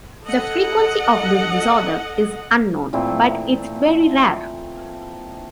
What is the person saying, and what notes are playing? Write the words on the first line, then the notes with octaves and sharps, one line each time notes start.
The frequency of this disorder is unknown, but it is very rare.
A4 D#5 F#5
A#2 E3 A3 C4